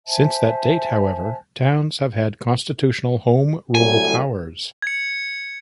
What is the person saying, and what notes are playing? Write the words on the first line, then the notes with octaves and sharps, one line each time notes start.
Since that date, however, towns have had constitutional home rule powers.
C5 E5 G#5 A5
C2 A2 F#3 G#5
G#6 C#7